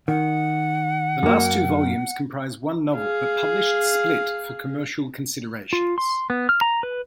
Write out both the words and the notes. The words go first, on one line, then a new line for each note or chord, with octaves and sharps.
The last two volumes comprise one novel, but published split for commercial considerations.
D#3 F#5
F#2 A#3
G#4 F5
F4
C6
B3
F6
A#5
B4